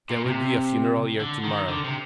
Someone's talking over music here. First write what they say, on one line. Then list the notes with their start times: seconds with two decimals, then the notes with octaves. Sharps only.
"There will be a funeral here to-morrow."
0.10 A#2
0.25 C3
1.20 D3
1.44 D#3
1.68 D3
1.84 C3